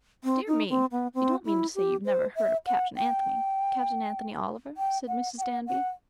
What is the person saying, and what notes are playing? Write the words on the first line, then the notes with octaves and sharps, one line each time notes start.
"Dear me, you don't mean to say you've never heard of Captain Anthony--Captain Anthony Oliver?" said Mrs. Danby.
C4
D#4
C4
B3
C4
E4
G4
C5
E5
F#5
G5
G5
F#5
G5
F#5
F#5